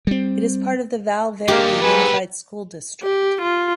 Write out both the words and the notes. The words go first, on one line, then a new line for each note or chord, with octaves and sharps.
It is part of the Val Verde Unified School District.
G3 C4
D#3 G#3 A#3 D4 G4
G#2 B3 G#4 A4 B4
G4
F4